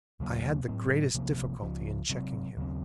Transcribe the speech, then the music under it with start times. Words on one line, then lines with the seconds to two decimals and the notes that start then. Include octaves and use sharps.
I had the greatest difficulty in checking him.
0.20 D#2 C#3 F#3 A#3
0.68 A2 F#3 C4
1.15 C2 C3 F3 A#3
1.62 C#2 C#3 F3
2.10 C3 F#3 C4
2.57 D#2 C#3 F#3 C4